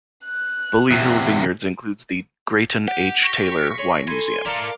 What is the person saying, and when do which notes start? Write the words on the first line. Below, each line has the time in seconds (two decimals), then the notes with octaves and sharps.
Bully Hill Vineyards includes the Greyton H. Taylor Wine Museum.
0.25 F#6
0.91 E2 C3
2.88 G4 F#5
3.23 C#6 A#6 B6
3.78 G#4 C#5 C6
4.08 E4 A4 G#5 C6
4.45 E4 A4 A#4 D5 F5 G5 A#5 D6